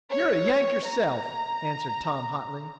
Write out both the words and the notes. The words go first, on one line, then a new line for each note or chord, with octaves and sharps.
"You're a Yank yourself," answered Tom hotly.
C#5
A#5